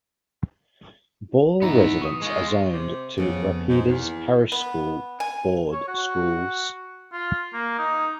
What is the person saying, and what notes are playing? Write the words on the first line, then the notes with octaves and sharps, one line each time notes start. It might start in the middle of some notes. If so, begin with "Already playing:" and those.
Ball residents are zoned to Rapides Parish School Board schools.
G#2 E3 B3 D#4 A#5
C#6 D#6
G#3 F4
C3
F2 C#3 B3
G#2
E2
B3
G#5
C#5
F#4
F4
A#3
D#4